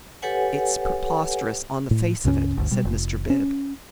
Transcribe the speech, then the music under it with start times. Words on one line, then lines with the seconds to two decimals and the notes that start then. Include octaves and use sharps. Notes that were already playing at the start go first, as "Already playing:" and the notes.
"It's preposterous on the face of it," said Mr. Bib.
0.22 G4 A4 B4 C#5 F#5 G#5
1.91 A2
2.25 C#2 G2 C#3 C#4
2.57 G1 D2
2.71 B2 G3
2.85 F1
3.30 C#4